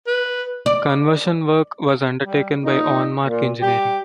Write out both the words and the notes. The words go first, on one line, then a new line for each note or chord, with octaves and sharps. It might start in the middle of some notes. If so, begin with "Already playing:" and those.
Conversion work was undertaken by On Mark Engineering.
B4
D5
G3
A#2 D#4
A#2
G3 G4